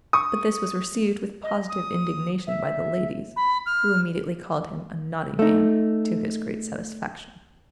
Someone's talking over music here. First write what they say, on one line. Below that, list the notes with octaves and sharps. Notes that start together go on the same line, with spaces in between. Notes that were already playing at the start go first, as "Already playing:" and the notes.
But this was received with positive indignation by the ladies, who immediately called him a "naughty man," to his great satisfaction.
C#6 D#6
D#5
D#6
E5
B5
F6
A3 D#4